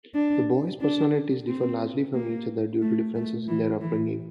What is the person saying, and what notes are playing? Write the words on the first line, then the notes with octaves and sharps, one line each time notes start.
The boys' personalities differ largely from each other due to differences in their upbringing.
D4
D4
C4
A#3
A3
A3
E3
E3